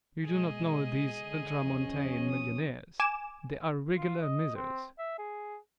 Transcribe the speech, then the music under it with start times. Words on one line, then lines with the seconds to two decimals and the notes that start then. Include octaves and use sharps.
You do not know these ultramontane millionaires; they are regular misers.
0.24 B2 G#3 G#4 D#5
1.24 D3
1.64 D#2 F3 C#4
2.29 D#6
3.00 G#5 D6 E7
3.97 F4
4.22 D#5
4.56 C4
4.99 E5
5.19 G#4